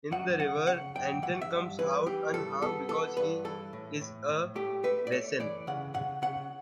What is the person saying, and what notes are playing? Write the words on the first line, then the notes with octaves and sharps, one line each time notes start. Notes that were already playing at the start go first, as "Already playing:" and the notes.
In the river, Anton comes out unharmed because he is a Wesen.
F#2 F#5
C#3 F#5
C#3 F#5
F#2 G5
E3 F#5
E5
G2
E3 B4
E3 G4
G2 A4
B3 A4
E3 A4
G2 B4
E3 A4
A2
A2
A2
A3 G4
A3 B4
D5
A3 C#5
E3 D5
C#3 F#5
C#3 F#5
C#3 F#5